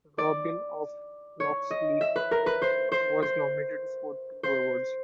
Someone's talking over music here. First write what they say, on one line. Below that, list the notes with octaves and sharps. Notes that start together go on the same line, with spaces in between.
"Robin of Locksley" was nominated for two awards.
D5
C#5
D#5
E5
B4
A#4
B4
C5
C5
C5
C5